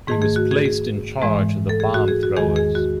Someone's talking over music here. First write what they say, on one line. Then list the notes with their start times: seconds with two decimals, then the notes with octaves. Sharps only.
He was placed in charge of the bomb-throwers.
0.07 G#2 D#3 A3 G#4
0.22 G#4
0.36 F#4
0.51 G#4
0.65 G#4
1.22 G#2 E3 G#3
1.69 A4
1.80 G#4
1.94 F#4
2.08 G#4
2.23 F#4
2.37 E2 D#3 G#3 G#4
2.56 G#4
2.75 F#4